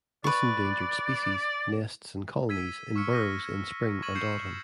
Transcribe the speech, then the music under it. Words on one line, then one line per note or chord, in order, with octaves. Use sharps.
This endangered species nests in colonies in burrows in spring and autumn.
B4 D5 C#6
E6 G#6 B6 D#7
C#6 E6 F6 C#7
F6 A#6 D#7
C#6 G#6 D#7 F#7
G6 C7 C#7 D#7 E7